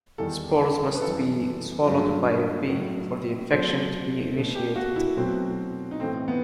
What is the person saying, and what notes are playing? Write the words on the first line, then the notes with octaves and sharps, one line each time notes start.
Spores must be swallowed by a bee for the infection to be initiated.
E2 D#3 G3 A4
B4
F#2 E3 G3 A4
G2 F#3 A3
A2 F#3 A3
B2 F#3 A3 C5
B2 A3
G4
F#4
E4
B2 F#3 A3 C4
D#4
A2 E3 A3 C4
B3